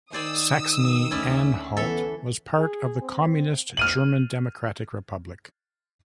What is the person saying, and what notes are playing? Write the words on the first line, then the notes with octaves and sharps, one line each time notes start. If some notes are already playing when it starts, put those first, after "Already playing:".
Saxony-Anhalt was part of the communist German Democratic Republic.
D#3 C5 D5 G#5 D#6 E6
D2 C#4 E4 D5
E3 B3 A4 C#5 E5
G#4
C4
F6 D#7 F#7